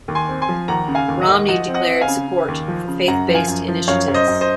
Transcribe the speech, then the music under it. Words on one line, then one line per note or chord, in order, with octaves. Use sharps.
Romney declared support for faith-based initiatives.
D#2
G#5 C6
C4
G#5 C6
F3
D#2 F#5 A#5
C#3
F5 G#5
D#2
D#5 F#5
D#2
F3 D#5 F#5
C4
D#5 F#5
C4
F5 G#5
C#3
C#3
D#2
F3
C#3
F#2 F#5 A#5
F3
F5 G#5
F#2
F3
F#2 C#5 F5
F#2
C5 D#5
F#2
C5 D#5